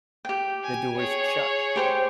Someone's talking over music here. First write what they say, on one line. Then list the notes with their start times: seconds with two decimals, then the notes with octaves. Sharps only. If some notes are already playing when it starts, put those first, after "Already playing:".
The door's shut.
0.25 G4 G5
0.63 G#5
0.97 G#4 C#5
1.76 G4 C5 G5